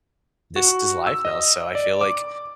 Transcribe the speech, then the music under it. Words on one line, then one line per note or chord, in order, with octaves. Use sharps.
"This is life now." So I feel like
F#4
E6
D#5
D5
D6